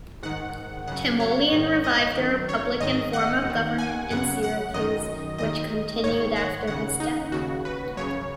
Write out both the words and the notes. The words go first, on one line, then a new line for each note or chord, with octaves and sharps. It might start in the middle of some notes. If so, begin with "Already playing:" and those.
Timoleon revived a republican form of government in Syracuse, which continued after his death.
G#2 D#3 F#5
F#2 C#3 F#5
C#5
G#2 D#3
D#5
F#2 D#3
C#5
G#2 D#3 D#5
F#5
D#2 D#3
G#5
F#2 C#3 F#5
F#5
F#2 D#3 D#5
D#2 D#3 D#5
G#2 D#3 C#5
F#5
D#2 C#3 F#5
D#4
D#2 C#3 F#4
B4
F#2 C#3 C#5